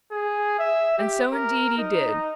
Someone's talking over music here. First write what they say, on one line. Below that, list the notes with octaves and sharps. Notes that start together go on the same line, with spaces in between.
And so indeed he did.
G#4
E5
G4
A#4
D#4